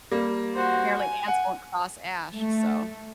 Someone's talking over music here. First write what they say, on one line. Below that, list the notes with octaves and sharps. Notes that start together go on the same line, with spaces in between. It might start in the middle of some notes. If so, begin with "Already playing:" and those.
apparently ants won't cross ash so
G3 A#3
F#4 C5
G#5
F#5
A3